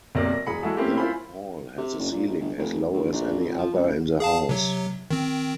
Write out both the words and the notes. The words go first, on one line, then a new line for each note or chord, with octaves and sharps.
The hall has a ceiling as low as any other in the house.
B1 C3 A#3 D5 A#6
A#6
E1 G#4 A#5 B5 C#7
G#3 E4 F#4 G#4 A4
A3 A#3 C4 C#4 E4 G4
E4 F4 C5 G#5 B5
C3
F#1
A#2
A#1
G1
F1
D2
A#1
F2
F3
C#2
G#4 F5 A5
C3 F#3
D#3 C4